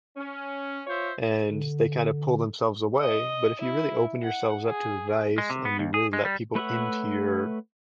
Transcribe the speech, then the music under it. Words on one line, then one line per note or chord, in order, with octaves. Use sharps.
and they kind of pull themselves away. But if you really open yourselves up to advice and you really let people into your
C#4
F4 C5 C#5 E5
D3
D#5
E4
F#5
G#4
G#3
C3
B3
D#2
G#4
G#3
G3
A3 B4 C#5 E5 F#5